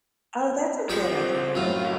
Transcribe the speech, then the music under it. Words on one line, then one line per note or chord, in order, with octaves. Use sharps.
Oh, that's a good idea.
F3 G#3 G4 C#6
G3 C4
F#2 A2 F4
C#2